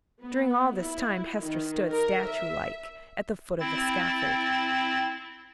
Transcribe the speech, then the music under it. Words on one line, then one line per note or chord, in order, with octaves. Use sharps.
During all this time, Hester stood, statue-like, at the foot of the scaffold.
B3
E4
D#3
A#4
E5
C4 E4 A6